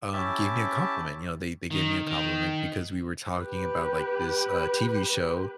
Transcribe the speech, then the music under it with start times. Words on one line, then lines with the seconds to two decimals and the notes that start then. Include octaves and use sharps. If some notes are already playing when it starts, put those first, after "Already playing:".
um, gave me a compliment. You know, they they gave me a compliment because we were talking about, like, this, uh, TV show
0.13 C#4 E4 G4 E5 A5
1.71 D#3
2.07 D#3
3.38 G4 B4